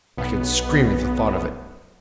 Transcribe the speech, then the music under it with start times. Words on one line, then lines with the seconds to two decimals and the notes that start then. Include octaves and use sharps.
I could scream at the thought of it.
0.18 B1 B3